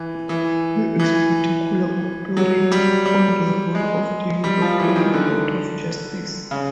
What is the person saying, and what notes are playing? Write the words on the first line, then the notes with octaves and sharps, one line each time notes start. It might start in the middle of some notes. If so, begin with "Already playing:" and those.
He is a particular authority on the role of the European Court of Justice.
Already playing: E3
E3
E3
F#3
G3
G3
G#3
G3
F3
E3
D#3
D3
C#3